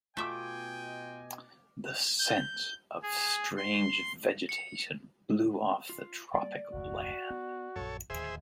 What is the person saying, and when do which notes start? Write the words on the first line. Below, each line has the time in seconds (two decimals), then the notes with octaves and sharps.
The scents of strange vegetation blew off the tropic land.
0.17 B2 A3 F4 D#5 E5 G5 G#5 D6
2.19 G6
3.03 G#4
3.57 C6
4.49 C#7
5.89 F4
6.34 G3 A#3 D5
6.73 F1 D2 G#2 F#4
7.30 B3
7.76 A#1 F#2 A4 C#5
8.10 D1 D#2 G#4 C5 E5